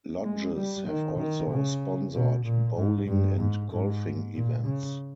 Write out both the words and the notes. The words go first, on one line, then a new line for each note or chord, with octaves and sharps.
Lodges have also sponsored bowling and golfing events.
G#3
G3
D#3
D#3
C#3
B2
A#2
G#2
G2
G#2
G#2
A#2
C#3